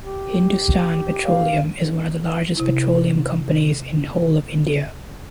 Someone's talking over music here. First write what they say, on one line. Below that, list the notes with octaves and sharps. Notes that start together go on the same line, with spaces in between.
Hindustan Petroleum is one of the largest petroleum companies in whole of India.
G4
F5
C3 E4